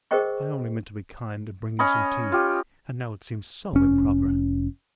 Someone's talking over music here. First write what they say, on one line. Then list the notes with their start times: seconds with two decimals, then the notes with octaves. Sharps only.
I only meant to be kind and bring you some tea; and now it seems SO improper.
0.11 G#4 A#4 C5 D#5 G5 C#6
1.79 C#4 C#5 D#5 B5
2.32 F4 G4
3.73 F1 C#4